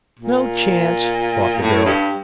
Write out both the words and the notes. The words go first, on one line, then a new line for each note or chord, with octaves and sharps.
"No chance," thought the girl.
A#2
A2
G2